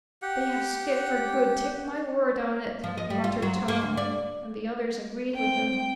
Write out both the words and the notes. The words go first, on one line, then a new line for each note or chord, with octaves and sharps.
"They have skipped for good, take my word on it," muttered Tom, and the others agreed with him.
G4 F#5
F3
D#5
G3
F4
F#3
C4
A#3
D2
D5
C4 G5